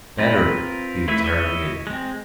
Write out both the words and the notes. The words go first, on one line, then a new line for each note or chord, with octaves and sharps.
"Better?" he interrogated.
C4 F4 A#4 B4
A3 E4 B4 E5
E4 C#5 D#5 E5
G#3 C4